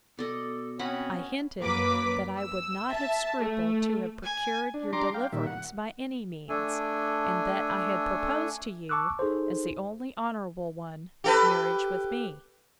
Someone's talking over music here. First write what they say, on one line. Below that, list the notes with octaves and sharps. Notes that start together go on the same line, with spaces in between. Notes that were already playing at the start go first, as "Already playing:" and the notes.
I hinted, that I would not have scrupled to have procured your deliverance by any means; and that I had proposed to you, as the only honourable one, marriage with me.
B2 A4 D5 D#5
C4 C#4 D#5 F#5 B5
F#2 F#3 A#3 B4 D6 B6
E6
E5 A5
A3
G#5
D4
G3 D4 A#5 C6 D6
F5 G5
A#2 D#3 G3 E5
F#5
A3 D4 A4 G#5
A5 C#6 D6 E6 F#6
D#4 G#4 A4 C5
G4 A4 B4